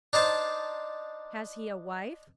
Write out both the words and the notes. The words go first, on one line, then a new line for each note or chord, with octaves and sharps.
"Has he a wife?"
D4 D#4 C5 A5